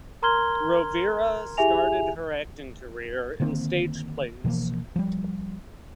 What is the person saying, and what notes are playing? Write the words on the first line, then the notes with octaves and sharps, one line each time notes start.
Rovira started her acting career in stage plays.
A#4 A#5 C6 F6 G#6 G7
E4 G4 G#4 E5 G#5 F7
D3 D#3 A#3 C4
B2 E3 F3 A#3
F3 G3